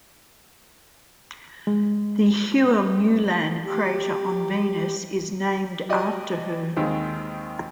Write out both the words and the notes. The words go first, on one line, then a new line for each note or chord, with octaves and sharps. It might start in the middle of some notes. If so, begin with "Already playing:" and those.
The Hua Mulan crater on Venus is named after her.
G#3
G4
F#4 G4 D5 D#5
D#2 D#3 G#3 C4